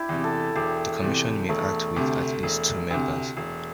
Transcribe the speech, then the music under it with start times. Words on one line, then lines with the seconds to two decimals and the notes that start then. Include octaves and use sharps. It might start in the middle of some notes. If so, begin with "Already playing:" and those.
The Commission may act with at least two members.
Already playing: E4 G4
0.09 E2 C3
0.24 A4
0.56 E1 G4
1.02 E2 C3
1.49 E1 A3
1.96 D2 C3
2.43 E1
2.90 D2 C3
3.37 E1